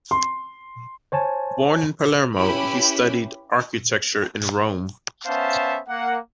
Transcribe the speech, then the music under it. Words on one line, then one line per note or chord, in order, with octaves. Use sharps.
Born in Palermo, he studied architecture in Rome.
C6
C5 C#5 G#5 A5
C#4 E4 G4 B4 B5
B3 C#4 C5 E5 F5 A5
A#3 F#5